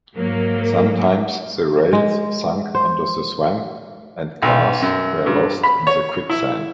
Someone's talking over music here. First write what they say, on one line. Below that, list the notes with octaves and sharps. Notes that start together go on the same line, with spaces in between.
Sometimes the rails sunk under the swamp, and cars were lost in the quicksand.
G#2 F#3 A#3
G#3
C5
B1
F#2
G2
B5
C#5
E4